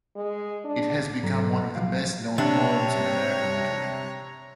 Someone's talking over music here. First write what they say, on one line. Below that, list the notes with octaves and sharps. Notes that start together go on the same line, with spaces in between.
It has become one of the best-known poems in American literature.
G#3
D4
G#2 F#3 A4 A#5
C2 F3 F#3 F5
C3 D4 C#5 A#5